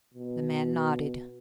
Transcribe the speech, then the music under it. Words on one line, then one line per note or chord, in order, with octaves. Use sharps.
The man nodded.
B2